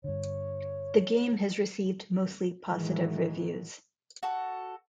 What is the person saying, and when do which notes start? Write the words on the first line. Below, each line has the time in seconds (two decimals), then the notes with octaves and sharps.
The game has received mostly positive reviews.
0.04 G2 D3 C#5
2.67 A2 D#3 E3 F#3 G#3
4.23 F#4 A4